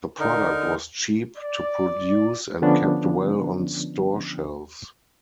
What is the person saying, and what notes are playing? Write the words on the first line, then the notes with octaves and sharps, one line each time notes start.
The product was cheap to produce and kept well on store shelves.
D3 D#4 A#4
D5
D3 F3 B3 C#4 D4